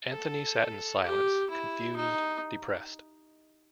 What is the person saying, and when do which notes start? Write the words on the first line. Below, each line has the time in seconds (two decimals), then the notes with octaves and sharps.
Anthony sat in silence, confused, depressed.
0.11 A4
1.04 G4
1.50 E4
1.96 D#4